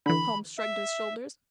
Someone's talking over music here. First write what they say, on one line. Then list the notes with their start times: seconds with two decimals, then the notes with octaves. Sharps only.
Holmes shrugged his shoulders.
0.06 D3 E3 B5
0.58 E5